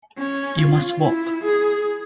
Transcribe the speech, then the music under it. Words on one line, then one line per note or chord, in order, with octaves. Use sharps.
You must walk.
C#4
F4
E4
G#4